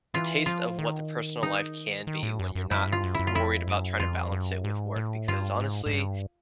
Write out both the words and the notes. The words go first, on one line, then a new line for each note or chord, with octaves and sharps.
a taste of what the personal life can be when you're not worried about tryna balance it with work because, honestly,
E3 F4
F3 F4
D#3
D#4
D#3
A2
F#2
F#2
F#2 E4
G2 F4
F#2
F#2 E4
F4
F2 E4
F#2
F2 F4
F#2
G#2
A2
G2 F4
G#2
G#2
G2